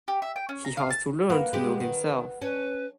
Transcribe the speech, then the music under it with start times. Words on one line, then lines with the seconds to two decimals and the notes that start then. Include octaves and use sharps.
He has to learn to know himself.
0.08 G4
0.22 E5
0.36 G5
0.49 C#4
0.65 A#5
0.77 F5
0.90 A5
1.30 A#3 B4 F#5
1.53 G#3 G4
1.80 D#3
2.42 C#4 B4